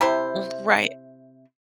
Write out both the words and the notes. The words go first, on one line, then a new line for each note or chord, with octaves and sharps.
M Right.
C3 E4 C5